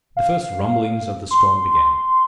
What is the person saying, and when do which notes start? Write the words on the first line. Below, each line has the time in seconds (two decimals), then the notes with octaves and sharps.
The first rumblings of the storm began.
0.17 F5
1.31 C6